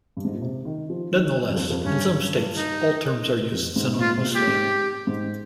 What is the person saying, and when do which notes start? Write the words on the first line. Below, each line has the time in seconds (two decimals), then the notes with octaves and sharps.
Nonetheless, in some states, all terms are used synonymously.
0.17 G2
0.25 G#2
0.34 A#2
0.42 C3
0.65 D#3
0.90 F3
1.13 D#3
1.49 G2
1.56 F2
1.70 F2
1.84 G2 C#4
2.56 D#4
3.52 F2
3.76 G#2
3.88 C3
3.99 A#2 F4
4.17 C3
4.24 A#2
4.35 G4
4.47 G#2
5.07 G#2